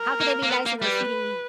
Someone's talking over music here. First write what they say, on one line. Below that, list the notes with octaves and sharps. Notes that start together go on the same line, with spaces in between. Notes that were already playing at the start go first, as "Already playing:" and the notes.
How can they be nice when they're feeding me
Already playing: A#4
A#3
A#3
B3
A#3
G3 B4